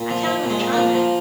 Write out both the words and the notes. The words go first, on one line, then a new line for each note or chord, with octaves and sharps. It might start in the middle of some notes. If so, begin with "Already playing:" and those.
I kinda wanna try that.
Already playing: A#2
F3
F3
A#2
G#3
A#2
F3 A#3
F3